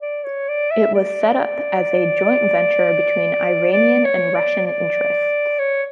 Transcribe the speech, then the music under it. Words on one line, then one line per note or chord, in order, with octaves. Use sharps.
It was set up as a joint venture between Iranian and Russian interests.
D5
C#5
D5
E5
D5
D5
C#5
D5
D5
C#5